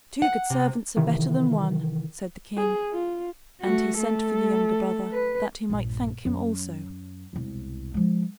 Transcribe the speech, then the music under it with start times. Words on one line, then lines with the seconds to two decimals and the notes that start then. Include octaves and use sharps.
"Two good servants are better than one," said the king, and he sent for the younger brother that he might thank him also.
0.22 F#5
0.50 C3
0.97 C3 D#3 E3
2.57 G#4
2.93 F4
3.61 A3 F#4
3.99 A3 A4
5.12 B4
5.70 A#1 G2
6.25 F#2 F#3
7.33 E1 C2
7.94 F3 G#3